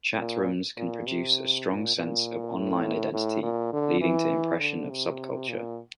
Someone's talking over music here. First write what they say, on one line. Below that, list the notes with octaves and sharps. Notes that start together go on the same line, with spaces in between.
Chatrooms can produce a strong sense of online identity leading to impression of subculture.
A#2
A#2
C3
A#2
A#2
A2
A2
A#2
D3
E3
D3
C3
A#2